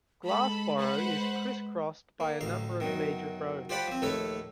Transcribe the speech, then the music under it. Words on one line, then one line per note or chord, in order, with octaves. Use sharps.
Glassboro is crisscrossed by a number of major roads.
G#3 A4 B5
B4 C5 F#5
A#3
A1 D2 F5
F#2 B2 D#3
F4 G4 C5 D5 F#5 B5
F3 C4
A#1 D#2 A3 A4 B4 C#5